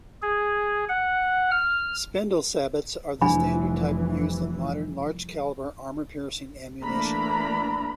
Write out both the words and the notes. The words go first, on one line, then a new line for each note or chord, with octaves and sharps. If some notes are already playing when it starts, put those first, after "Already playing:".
Spindle sabots are the standard type used in modern large caliber armor-piercing ammunition.
G#4
F#5
F6
F1 E3 F3 G3 D4 G#5 B5
E3 A3 A#3 D4 A#5 B5